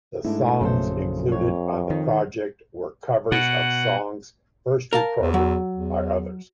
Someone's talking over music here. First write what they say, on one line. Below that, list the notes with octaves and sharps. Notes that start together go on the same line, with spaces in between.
The songs included on the project were covers of songs first recorded by others.
G#2 A3 D4 E4
A#1 F#2 C#3 F#3 A4 C5
F2 C#5
D#3
B2 F#5
A#4 F5 A5
E2
F#3
E2